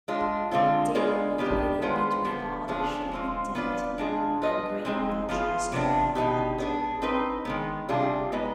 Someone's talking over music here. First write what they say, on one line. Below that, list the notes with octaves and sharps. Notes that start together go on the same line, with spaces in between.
They are located between Audenshaw and Denton, in Greater Manchester, England.
G#3 D4 F4
D3 G#3 C4 F4
G#3 B3 F4 G#4 D5
D#3 B3 D4 G4
D#3 G#3 B3 F4 C5
D3 F3 B3
D3 F3 B3 D4 G#4
G#3 C4 F4
B3 D4 F4 B4 D5
G#3 D4 F4 G#4
B3 F4 B4 D#5
G#3 C4 D#4 G#4
F3 B3 F4 G#4
C3 F3 B3 D4
B2 B3 D#4 G4
B3 D4 G#4
C4 D#4 B4
D#3 G#3 B3
C3 G3 D4 F4 G#4
G#3 B3 D#4 B4 D#5